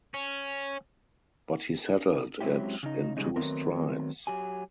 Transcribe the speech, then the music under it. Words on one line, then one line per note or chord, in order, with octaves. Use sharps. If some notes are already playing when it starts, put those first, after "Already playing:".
But he settled it in two strides.
C#4
F#3 G#3 C4 C#4 E4 G4
C#3 D#4
C#3 G3 G#3 C#4 D#4
D#3 F#3 A3 B3 C4 A#4
F#3 G4 G#5